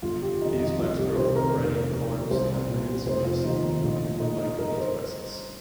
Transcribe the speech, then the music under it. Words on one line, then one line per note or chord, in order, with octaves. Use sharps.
These plants grow from perennial corms that produce a raceme or umbel-like inflorescence.
G1 F4
G4
F2 D#3 D#4
D#4
C2 F4
G4
C3 D#3 C5
A#4
F1 A#4
D#2 D#3
C2 C5
A#2
F1 C5
F4
D#2 D#3 D#4
D#4
A#1 F4
A#2 D#4
D#4
G1 A#4
C5